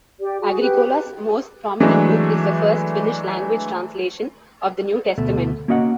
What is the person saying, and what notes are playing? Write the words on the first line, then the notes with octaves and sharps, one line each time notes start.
Agricola's most prominent book is the first Finnish-language translation of the New Testament.
G4 D5
F#4 G#4
G4 B4
E3 F#3 G#3 A3 D4
D2 B2 A3
A#3 C#4 F#4 D#5 E5 F#5